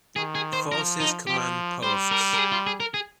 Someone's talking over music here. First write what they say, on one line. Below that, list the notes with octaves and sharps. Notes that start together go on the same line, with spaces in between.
Forces command posts.
D#3 G#4
G#4
C5
F3 A#4
D#4
F3 G4
G3 C5
A#4
A#4
G#4
F4
G#4
A#4
G#4